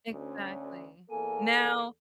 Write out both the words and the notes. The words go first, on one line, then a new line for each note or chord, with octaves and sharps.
Exactly. Now,
D2 C#4
E2 A#3 A4 G#5